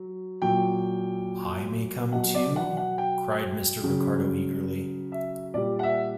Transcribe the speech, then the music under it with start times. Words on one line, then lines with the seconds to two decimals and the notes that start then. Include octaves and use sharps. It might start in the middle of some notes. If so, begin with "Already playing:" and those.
"I may come too?" cried Mr. Ricardo eagerly.
Already playing: F#3
0.42 A#2 F#3 G5
2.12 B2 F#3 F#5
2.35 D5
2.56 F#5
2.77 F#5
2.98 G5
3.84 C#3 F#3
5.12 E5
5.54 A#2 G3 D5
5.79 F#5
5.83 E5